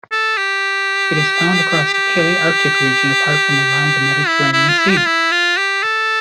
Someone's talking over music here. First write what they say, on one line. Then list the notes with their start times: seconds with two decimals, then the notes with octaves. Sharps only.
It is found across the Palearctic region apart from around the Mediterranean Sea.
0.12 A4
0.38 G4
1.94 G4
4.27 E4
4.53 E4
4.69 F4
4.79 E4
4.90 G4
4.97 F4
5.06 E4
5.32 F4
5.57 G4
5.83 A4